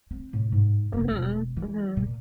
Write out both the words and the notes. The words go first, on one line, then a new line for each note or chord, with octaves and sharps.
Mhm, mhm.
C4
A2
G#2
F1
E1
E3
A#2